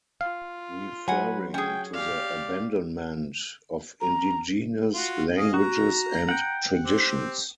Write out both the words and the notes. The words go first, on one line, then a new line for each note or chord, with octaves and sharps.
Referring to the abandonment of indigenous languages, and traditions.
F4 F5
F#3 B4 F#5 G#5
C#4 G#4 G5
G4 D5 F5
A#5
F4 F#4
G#4 D#5 F5
F#4 A#5
F#5 G5
C4 G4